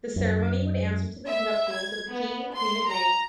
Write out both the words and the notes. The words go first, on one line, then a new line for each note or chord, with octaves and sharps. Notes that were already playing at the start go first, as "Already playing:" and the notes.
The ceremony would answer to the nuptials of the King and Queen of May.
F#2
E5
G#6
B3
C6
A#5